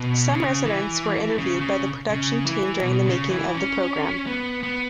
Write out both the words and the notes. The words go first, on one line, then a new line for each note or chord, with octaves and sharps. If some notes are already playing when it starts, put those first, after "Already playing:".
Some residents were interviewed by the production team during the making of the programme.
Already playing: B2
C#3
E3
C#3
C#3
C#3
E3
B2
C#3
E3
C#4
B3
B3